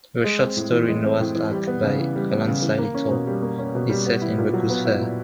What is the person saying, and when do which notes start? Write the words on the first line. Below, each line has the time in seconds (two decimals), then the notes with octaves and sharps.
The short story "Noah's Ark" by Alan Sillitoe is set in the Goose Fair.
0.24 G#3
0.40 C4
0.57 A2
0.72 E3
0.89 G#3
1.04 C4
1.20 A2
1.35 E3
1.51 G3
1.67 B3
1.83 C#3
1.99 E3
2.15 G3
2.31 B3
2.47 C#3
2.62 E3
2.78 A#3
2.95 C#4
3.11 B2
3.27 G3
3.42 A#3
3.59 C#4
3.75 B2
3.89 G3
4.06 B3
4.22 E4
4.38 A#2
4.53 F#3
4.70 B3
4.85 E4
5.01 A#2